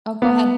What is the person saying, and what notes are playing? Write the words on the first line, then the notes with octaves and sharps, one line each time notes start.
Oh, go ahead.
B3